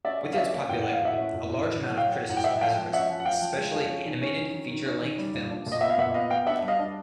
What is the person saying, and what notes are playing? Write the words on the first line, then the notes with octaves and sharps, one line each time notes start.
With its popularity, a large amount of criticism has arisen, especially animated feature-length films.
C#4 D5 E5
F#3
F5
C#4 D5 E5
A#3
A2 G5
A#3 F#5
F5
A2 E5 F#5
C#4
A2
A2
A2
F#3
F#3 F5 G5
F#3
A2 F#5
G5
A2 E5 F#5
F3 F5 G5
F3
C#4 E5 F#5
F3
F#5
F3 F5 G5
F3
G#3
F3
C#4
D#3
C#4
D#3
D#3
D#3
C#4
D#3
G3
A#2
D4
A#2
D#5
B3 E5
F5
A#2 E5 F#5
B3 D#5 F5
B3 F5 G5
D4 E5 F#5
G3
D#5 F5
D4